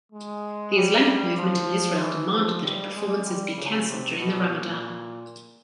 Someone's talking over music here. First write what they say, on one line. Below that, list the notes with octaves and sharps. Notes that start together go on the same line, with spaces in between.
The Islamic Movement in Israel demanded that her performances be cancelled during the Ramadan.
G#3
G3
G3
F3
E3
F3
G3
G#3
G3
C#3
C3
B2
A#2